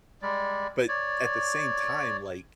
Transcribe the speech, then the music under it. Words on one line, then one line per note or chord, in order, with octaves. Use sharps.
But at the same time, like,
G3 G#3 D5
C#5 D5